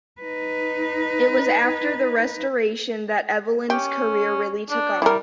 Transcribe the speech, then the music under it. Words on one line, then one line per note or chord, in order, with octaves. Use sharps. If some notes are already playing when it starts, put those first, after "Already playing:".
It was after the Restoration that Evelyn's career really took off.
D#4 B4
C#4 G4
D4
G3 E4 A#4